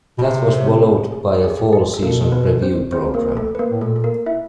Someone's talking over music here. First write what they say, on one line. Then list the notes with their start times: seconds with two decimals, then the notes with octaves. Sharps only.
That was followed by a fall season preview program.
0.18 B2
0.23 C3
0.53 C5
0.60 C#5
0.67 C4 C5
0.83 A3 A4
1.12 G#4
1.43 G#4
1.50 G4
1.57 G#4
1.73 G#4
1.94 A4
2.03 B2 A#3 A#4
2.32 B3 B4
2.62 C4 C5
2.92 C4 C5
3.14 A#3 A#4
3.37 A3 A4
3.55 B4
3.59 A#3 A#4
3.70 A2
3.81 A#2 A3 A4
3.96 A4
4.04 A#3 A#4
4.26 E4 E5